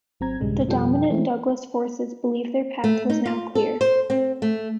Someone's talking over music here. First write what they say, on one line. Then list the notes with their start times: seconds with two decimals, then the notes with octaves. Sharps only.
The dominant Douglas forces believed their path was now clear.
0.20 G#1 F#3 C4 A#5 G#6
0.40 A#1 G2 C#3 G3 G#3
0.67 F2 B2 F3 G3 A4 G5
1.10 E3 G#3 A3 C4 C#4 E4
2.84 A3
3.10 D#4
3.26 F4
3.55 A4
3.81 C5
4.10 C4
4.42 A3